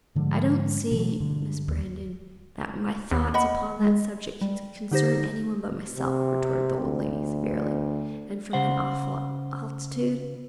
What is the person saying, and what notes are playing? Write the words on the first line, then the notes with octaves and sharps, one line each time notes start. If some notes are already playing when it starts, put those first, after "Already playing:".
'I don't see, Miss Brandon, that my thoughts upon that subject can concern anyone but myself,' retorted the old lady, severely, and from an awful altitude.
G#2 D3 F3 G#3
B2 E3 F#3
G2 D3
D#2
D#2
D#5 F#5 B5
G#3
G3
D3 D#4 G4 C5 A#6
C3
D2
C#3 C5 F#5